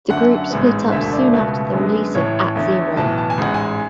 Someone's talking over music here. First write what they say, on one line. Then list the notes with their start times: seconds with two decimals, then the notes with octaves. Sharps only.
The group split up soon after the release of "At Zero".
0.09 F#2 D3 A3 F#5
0.22 G#5
0.35 F#5
0.50 A1 G#2 G#3 B3
0.92 E1 D2 D3 A3 E5
1.13 D5
1.33 C#2 B2 A3 B4
1.74 F#2 D3 G#3 B3
2.14 A1 A2 E3 A3 C#5
2.55 E2 D3 A3
2.96 B1 A2 E3 B3 A5
3.18 A5
3.30 G#5
3.37 A1 G#2 G#3 F#5
3.54 G#5